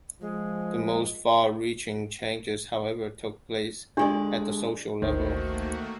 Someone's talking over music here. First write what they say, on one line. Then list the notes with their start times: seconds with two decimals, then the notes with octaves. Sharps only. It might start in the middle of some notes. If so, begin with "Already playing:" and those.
The most far-reaching changes, however, took place at the social level.
0.21 F3 G#3
3.97 D3 G#3 D4 G4 D5
5.02 G#1 D2 D#3 A3 A#3 D#4 F#4 C5